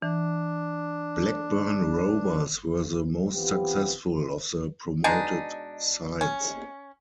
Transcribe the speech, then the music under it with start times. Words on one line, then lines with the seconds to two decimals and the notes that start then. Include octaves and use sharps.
Blackburn Rovers were the most successful of the promoted sides.
0.02 E3 D4
3.33 E3 B3 C4 F4 G4
5.04 B2 G#3 D4 D#4
6.21 C#4